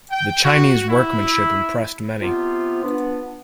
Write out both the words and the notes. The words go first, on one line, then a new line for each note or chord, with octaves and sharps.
The Chinese workmanship impressed many.
G5
F#4
E4
C3 B3 F4
B3 D4